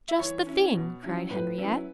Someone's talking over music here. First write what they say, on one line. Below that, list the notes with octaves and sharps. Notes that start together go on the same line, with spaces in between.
"Just the thing!" cried Henriette.
E5
E3 C#5
C#4 E4
B2
F#3 C#4 E4
A2 B4
F#3 C#4 E4